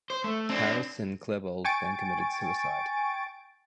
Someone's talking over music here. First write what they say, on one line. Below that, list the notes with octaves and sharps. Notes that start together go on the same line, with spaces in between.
Harris and Klebold then committed suicide.
C5
A3
C4 D4
G5 G#5 C#6 A6 D7